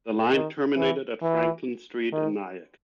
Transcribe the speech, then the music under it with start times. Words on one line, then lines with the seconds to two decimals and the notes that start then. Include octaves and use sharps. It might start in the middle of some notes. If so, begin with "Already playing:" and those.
The line terminated at Franklin Street in Nyack.
0.32 D#3
0.77 E3
1.22 E3
2.12 D#3